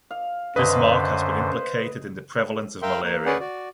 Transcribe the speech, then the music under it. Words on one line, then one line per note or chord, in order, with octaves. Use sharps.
This mark has been implicated in the prevalence of malaria.
F5
F#2 D3 B4 C5 D#5
A#4 E5 F5 G5 C6
A#3
C#4 G#4 B4 D5 F#5
F#4 D5